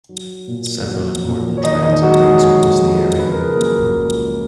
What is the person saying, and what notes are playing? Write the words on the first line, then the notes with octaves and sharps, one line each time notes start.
Several important trails and routes crossed the area.
F#3
A#2
F#3
A#2
C#5
D#3 D#4 D#5
D#4 D#5
F#3 G#3 F#4
G#3 G#4
F2
F2
C#3 B4
A#4
G#4
F#3 A#3 A#4
C#2